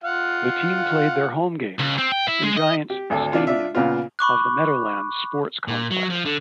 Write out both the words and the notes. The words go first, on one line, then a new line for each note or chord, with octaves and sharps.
The team played their home games in Giants Stadium of the Meadowlands Sports Complex.
F4 F5 F#5
C#2
C4
G5
E4
G#3
D#5
G4
G#1 D2 A4
C3 D4 F4
D4 F4 E5
A#2 C#3 B3 F4
B5 C#6 D6 F#6
A#2
F#3
F3
D3